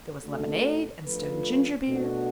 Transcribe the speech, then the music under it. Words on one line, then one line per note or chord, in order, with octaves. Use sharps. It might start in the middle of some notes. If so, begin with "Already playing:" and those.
There was lemonade and stone ginger-beer. . . .
A3 D4 F#4 A4
F3 A3 D4 F4 B4
B2 A3 D4 F#4